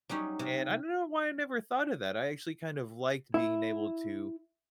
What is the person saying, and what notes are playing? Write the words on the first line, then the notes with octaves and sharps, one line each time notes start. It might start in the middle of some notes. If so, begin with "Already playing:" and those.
and I don't know why I never thought of that. I actually kind of liked being able to,
F#3 G3 C#4 D#4
C3
E4